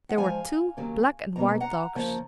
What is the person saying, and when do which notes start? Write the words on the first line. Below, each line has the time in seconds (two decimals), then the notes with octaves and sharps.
There were two black and white dogs.
0.09 F#5
0.17 G#2 F3 G#3 F5 G#5
0.77 D#2 C#3 F#3 A#3 C#4
1.36 B2 A#3 C#4 A#5
1.60 F#5 A#5
1.95 F#2 C#3 F3 A#3 C#4